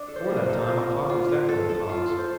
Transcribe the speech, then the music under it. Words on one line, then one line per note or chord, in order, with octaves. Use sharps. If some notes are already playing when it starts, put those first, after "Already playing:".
Before that time I talked as that girl talks.
Already playing: D4 D5
A4
C5
A#3
C5
A4 A#4
C5
F4
A#3
F4
F4
A4
A4
F4
A4
C5